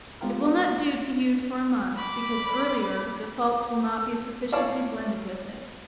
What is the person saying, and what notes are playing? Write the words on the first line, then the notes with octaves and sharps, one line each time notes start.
It will not do to use for a month, because earlier, the salts will not be sufficiently blended with it.
G#3 B3 C4 F4 G4 A#4
B5 D6
C#5 D5 F5 A5